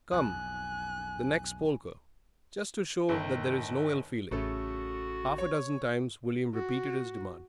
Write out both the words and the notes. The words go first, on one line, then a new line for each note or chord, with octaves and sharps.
"Come, the next polka, just to show there is no ill-feeling." Half a dozen times William repeated his demand.
B1 F2 G#5 F#6
G1 D#3
A1 C#3 A3 F#4 A4
C#5
F#4